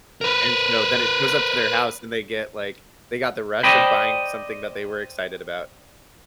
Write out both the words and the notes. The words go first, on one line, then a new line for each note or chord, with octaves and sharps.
and so then it goes up to their house, and they get, like, they got the rush of buying something that they were excited about,
A#4 B4
C5 D5 D#5 G5 B5